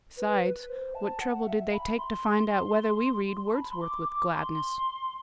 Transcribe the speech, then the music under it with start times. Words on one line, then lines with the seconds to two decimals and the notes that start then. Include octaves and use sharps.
Besides, what trouble did they take to find out whether we read Wordsworth with gladness?
0.17 B4
0.43 B4
0.69 C5
0.94 A5
1.20 F#5
1.47 E5
1.72 B5
1.98 C6
3.47 A5
3.54 B5
3.71 C6
3.81 D6
4.07 D6
4.33 C6